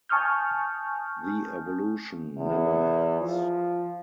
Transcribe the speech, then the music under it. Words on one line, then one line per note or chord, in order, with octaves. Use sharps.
The evolution never ends.
G#5 A5 C#6 D#6 F6 G6
E2
F3